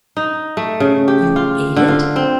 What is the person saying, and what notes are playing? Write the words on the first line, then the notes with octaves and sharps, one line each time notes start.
"You ate it?"
D#4
A3
C#3
G4
F4
D3
F4
C4